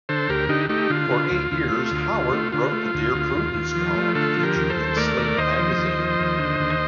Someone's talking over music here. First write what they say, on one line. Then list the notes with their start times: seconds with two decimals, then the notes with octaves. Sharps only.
For eight years, Howard wrote the "Dear Prudence" column featured in "Slate" magazine.
0.09 D3 A4 C5
0.29 D2 G4 A#4
0.49 D3 D#4 G4
0.69 A3 D#4 G4
0.90 D3 F4
1.10 D3
1.31 D2
1.52 D2
1.72 A3
1.91 D2
2.13 D2
2.33 A3
2.52 D3 F4
2.73 A3
2.94 D2
3.14 D2
3.35 D#2
3.54 D#2
3.75 F3
3.96 A3
4.15 D3 F4 A4
4.37 F3
4.43 G4 A#4
4.56 D#2
4.70 A4 C5
4.76 D#2
4.96 A3 A#4 D5
5.18 D#2
5.37 D#2 C5 D#5
5.58 F3
5.78 D#2
5.99 F3
6.20 D#2
6.39 D3
6.60 D#2